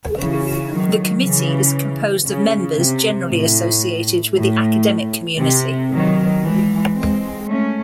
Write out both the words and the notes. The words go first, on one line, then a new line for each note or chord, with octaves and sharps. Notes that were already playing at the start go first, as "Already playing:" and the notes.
The Committee is composed of members generally associated with the academic community.
C#3 E3
D#3 F#3
C#3 E3
C#3
C3
A2
A2
C3
D#3 F#3
E3 G#3
G#3 C4
A3 C#4